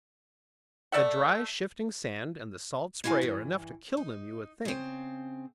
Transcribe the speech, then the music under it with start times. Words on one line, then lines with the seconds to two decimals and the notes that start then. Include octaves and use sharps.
The dry, shifting sand, and the salt spray, are enough to kill them, you would think.
0.92 A3 D5 E5 F#5
3.04 A#3 E4 F#4 F5 G#5
3.21 G2 E3
3.97 D#4
4.65 C#3 C4